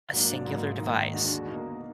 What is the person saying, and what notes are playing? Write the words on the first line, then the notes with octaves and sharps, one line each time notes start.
a singular device
G#2 F#3 A#3 D4
G#2 F#3 A#3
G#2 D#3 A#3
D#2 D3 G#3 D4 F#4
B2 A#3 D#4